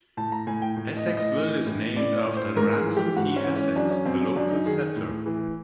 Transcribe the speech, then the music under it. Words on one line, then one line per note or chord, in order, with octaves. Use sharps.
Essexville is named after Ransom P. Essex, a local settler.
A2 A5
A#5
A2 G#5
G5
A2
D#5
A2
D#5
E3
A2
A2 D5
C#5
A2
C5
G#2 A#4
G#4
E3
G4
G#2 F#4
C#4
E3
C#4
F#2 D4
C#4
F#2 C4
C#4
F#2 D4
D#4
D#3 G#4
G#4
A2
E3